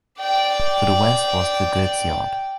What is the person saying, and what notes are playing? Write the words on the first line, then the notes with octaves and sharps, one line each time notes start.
To the west was the goods yard.
D5 G5